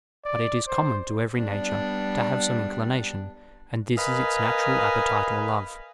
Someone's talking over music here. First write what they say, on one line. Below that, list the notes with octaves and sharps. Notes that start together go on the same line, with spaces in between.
But it is common to every nature to have some inclination; and this is its natural appetite or love.
D5
C5
G3 B3 D4
A#4 B4 D#5 F5 G#5